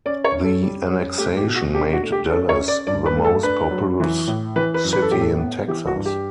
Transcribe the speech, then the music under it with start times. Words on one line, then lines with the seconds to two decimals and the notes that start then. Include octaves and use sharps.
The annexation made Dallas the most populous city in Texas.
0.06 C#4 D5
0.24 C#5
0.34 C#4
0.43 A4
0.62 G3
0.90 C#4
1.18 A3 G4
1.37 G4
1.46 B2
1.56 F#4
1.74 D4 G4
1.93 F#4
2.02 A3
2.12 G4
2.30 C#4 A4
2.49 C#5
2.59 C#4
2.68 D5
2.87 G2 D5
3.06 B4
3.15 A3
3.24 A4
3.43 D4 B4
3.71 F#3
4.00 E3
4.27 A2
4.56 E3 B4
4.74 B4
4.84 F#2
4.93 B4
5.02 A4
5.11 A2 G4
5.21 A4
5.39 B3
5.68 E3 G4
5.87 F#4
5.96 G2
6.05 G4